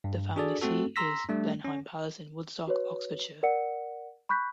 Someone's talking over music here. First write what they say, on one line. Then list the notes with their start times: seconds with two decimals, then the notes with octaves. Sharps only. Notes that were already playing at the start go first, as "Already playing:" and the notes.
The family seat is Blenheim Palace in Woodstock, Oxfordshire.
0.04 G2
0.36 D4 F#4 G#4 A4 D5
0.61 A3 C4 F#4 A4
0.96 A#5 C6 E6 A#6 B6
1.29 G3 A3 D4
1.64 C#4
2.67 F#4 B4 C#5
3.43 A#4 D5 F#5 C#7
4.29 B5 C#6 F#6 G6 B6